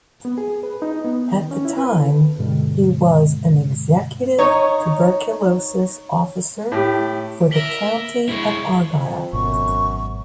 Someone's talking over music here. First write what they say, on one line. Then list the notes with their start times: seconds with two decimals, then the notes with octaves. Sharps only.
At the time he was an Executive Tuberculosis officer for the County of Argyll.
0.25 B3
0.38 G#4
0.63 B4
0.82 D#4
1.05 B3
1.34 D#3
1.51 C#4
1.65 E4
1.78 B4
1.91 A4
2.39 G2 B2 D3 G#3
4.39 D#4 C#5
6.72 A2 G4
7.51 A#4 E5 B6 F#7 G7
8.29 G#3 E4 C#5
8.93 F2
9.33 G#1 F#2 B2 C#6